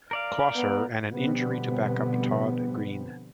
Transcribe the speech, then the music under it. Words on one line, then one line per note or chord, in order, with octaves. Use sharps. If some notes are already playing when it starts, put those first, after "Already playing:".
Closser and an injury to backup Todd Greene.
A#4 D5 F5
B3
B2 D3 F3 G3 B3 C4